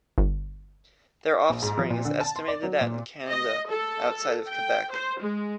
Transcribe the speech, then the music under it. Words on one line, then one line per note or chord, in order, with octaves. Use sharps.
Their offspring is estimated at in Canada, outside of Quebec.
G1
A#1
G#2
F3
A#2
D3
A5
C6
D5
F#3
A#2
D#5
A4
G5
C5
G#3